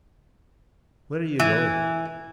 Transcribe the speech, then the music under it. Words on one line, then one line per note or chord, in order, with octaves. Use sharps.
"Where are you going?"
E3